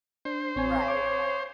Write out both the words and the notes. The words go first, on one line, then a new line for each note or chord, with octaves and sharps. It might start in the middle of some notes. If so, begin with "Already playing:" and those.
Right, right.
D4 C5
A1 C4 C#5 G#5
C#5 D6